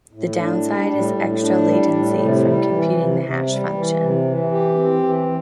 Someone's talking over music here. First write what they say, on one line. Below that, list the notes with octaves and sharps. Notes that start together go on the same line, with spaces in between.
The downside is extra latency from computing the hash function.
A2
D4
G3
A2
A2
D4
G3
A2
C3
G3
E3
C3
C3
G3
E3
C3
E3
G4
C4
E3